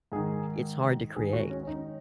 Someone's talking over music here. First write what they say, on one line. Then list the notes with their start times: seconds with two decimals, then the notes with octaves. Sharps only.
it's hard to create,
0.12 G#2 D#3 G#4
1.16 G#2 D#3 G#4
1.33 F#4
1.50 C#4
1.63 C#4
1.67 D#4